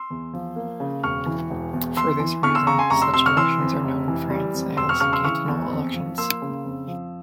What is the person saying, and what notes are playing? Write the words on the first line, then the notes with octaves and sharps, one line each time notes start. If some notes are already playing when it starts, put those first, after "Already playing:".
For this reason, such elections are known in France as "cantonal elections".
Already playing: C6 E6
E2
F3
A#3
C#3
E1 C#6 F6
E3
E1
E2
E2 C6 E6
E3
E2 C#6 F6
C6 E6
C#3 A#5 C#6
G#5 C6
F1 A#5 C#6
C6 E6
C3 C6 E6
C#6 F6
E3 C6 E6
F2
F1
E3
G3
F2
E1 C6 E6
C#6 F6
C#3 C#6 F6
C6 E6
E3 C#6 F6
E2
F2
F3
A#3 C6 E6
C#3
F2
F3